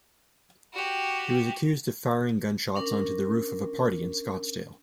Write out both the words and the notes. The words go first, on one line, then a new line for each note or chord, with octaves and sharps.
He was accused of firing gunshots onto the roof of a party in Scottsdale.
F#4 G4
C#4 D4 A#4